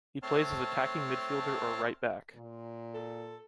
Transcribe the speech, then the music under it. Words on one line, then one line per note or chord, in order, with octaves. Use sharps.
He plays as attacking midfielder or right back.
A3 C4 C#5 A5 C6 F6
A#2
A4